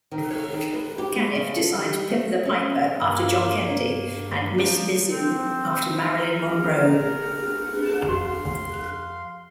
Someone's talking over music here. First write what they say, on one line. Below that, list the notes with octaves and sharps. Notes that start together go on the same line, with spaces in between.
Caniff designed Pipper the Piper after John Kennedy and Miss Mizzou after Marilyn Monroe.
D#3
C#5
D#3
B4
G4
G#3
C#3
A4
G3
A3
C#4
G2 A#3
F3
C4
A#4
F2 F#4 F5 C6